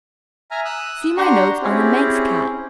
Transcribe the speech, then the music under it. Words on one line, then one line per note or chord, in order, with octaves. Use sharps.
See my notes on the Manx cat.
E5 G#5 A#5 F6
D#6 E6 F#6
D4 F#4 G4 F#5 A#5 C6
C4 C#4 E4 G4 G#4